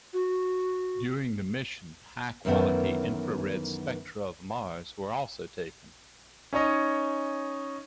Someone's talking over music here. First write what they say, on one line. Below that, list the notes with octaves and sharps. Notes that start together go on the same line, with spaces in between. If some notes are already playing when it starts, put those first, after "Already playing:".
During the mission, high quality infrared spectra of Mars were also taken.
F#4
F#2 D#3 E3 A3 B3
C#4 D#4 C#5 D#5